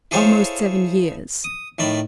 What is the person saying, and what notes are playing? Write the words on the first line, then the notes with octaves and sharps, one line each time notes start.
"Almost seven years."
E4 G#4 A4 C5 C#5 F5
D#6
A2 D#3 D5 B5